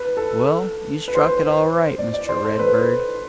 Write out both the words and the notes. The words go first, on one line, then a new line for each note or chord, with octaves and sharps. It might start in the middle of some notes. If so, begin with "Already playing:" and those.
Well, you struck it all right, Mr. Redbird.
Already playing: B4
A4
B4
C5
B4
C5
D5
D5
C5
A4
B4